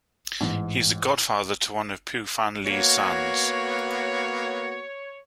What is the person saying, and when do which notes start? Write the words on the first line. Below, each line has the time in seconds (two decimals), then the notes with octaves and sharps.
He is the godfather to one of Pui Fan Lee's sons.
0.41 A1 G#2
2.66 A#3 B3 F#4 C#5